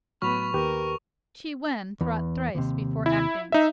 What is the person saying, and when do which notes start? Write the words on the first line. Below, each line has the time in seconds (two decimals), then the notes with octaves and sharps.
Chi Wen thought thrice before acting.
0.22 A2 F#3 B3 B5 C#6 F6 F7
0.54 D#2 G4 A#4 B4
2.01 E2
2.55 D#2 C3
3.06 E4
3.52 D#4 E5